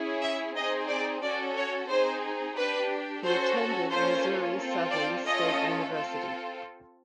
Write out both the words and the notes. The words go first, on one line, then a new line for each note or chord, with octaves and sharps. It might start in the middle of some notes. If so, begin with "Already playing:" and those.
He attended Missouri Southern State University.
Already playing: C#4 E4 G#4
E5
C4 D#4 G#4 D#5
D5
C#4 F#4 A4 D5
C#5
C4 D#4 G#4 C5
D4 G4 B4
C#4 F#4 A4 C5
A#3 C#4 F4 A4 C5
C4 F4 A4
D5
A3 C#4 F4 A4 D#5
C4 F4 A4